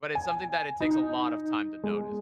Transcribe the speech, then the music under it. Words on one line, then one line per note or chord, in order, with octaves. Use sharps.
But it's something that it takes a lot of time to notice.
G#5
D#4
G#3